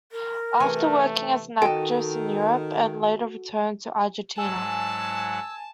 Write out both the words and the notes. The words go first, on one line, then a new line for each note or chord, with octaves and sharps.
After working as actress in Europe, and later returned to Argentina.
A#4
C3 E3 A3 G#5
D#3 F#4 A4 D#5 G5
G#2 F#3 F#5 G#5 A5 E6